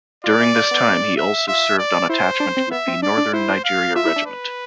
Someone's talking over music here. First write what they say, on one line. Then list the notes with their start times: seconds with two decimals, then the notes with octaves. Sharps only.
During this time he also served on attachment with the Northern Nigeria Regiment.
0.24 F4 D5
0.40 E4
0.55 F4
0.71 B3
1.17 E5
1.48 F4 E5
1.79 D5
2.09 E4 C5
2.40 D4
2.57 C4
2.71 B3 E5
2.88 C4
3.02 D4 D5
3.17 D4
3.33 E4 C5
3.64 F5
3.95 F4 E5
4.05 E4
4.16 D4
4.26 B4